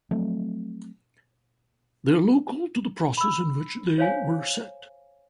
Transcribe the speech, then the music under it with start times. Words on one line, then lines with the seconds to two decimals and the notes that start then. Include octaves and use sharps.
They are local to the process in which they were set.
0.11 F3 F#3 A3 C4
3.17 B5 E6
3.98 C5 C#5 F5 G#5